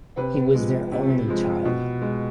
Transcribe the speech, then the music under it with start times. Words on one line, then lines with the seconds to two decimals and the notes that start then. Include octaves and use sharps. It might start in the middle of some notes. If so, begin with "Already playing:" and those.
He was their only child.
0.17 C3 B4
0.55 F3 G#3
0.92 C3
1.28 F3 G#3
1.65 B2
2.02 G#3